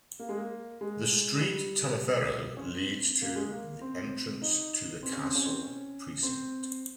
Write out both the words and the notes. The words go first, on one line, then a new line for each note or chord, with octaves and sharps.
The street "Tallaferro" leads to the entrance to the Castle precinct.
A#3
G#3
A#3
G#3
G#3
G3
C#4
C4
A#3
G#3
A#3
C4
D#4
C4
C#4
C4
C#4
C4
C#4
C4